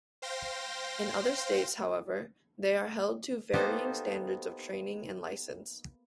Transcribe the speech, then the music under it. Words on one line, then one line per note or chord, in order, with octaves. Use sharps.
In other states, however, they are held to varying standards of training and license.
C5 F5 G5 C6 A#6
A#3 B3 D#4 G4 A4 C5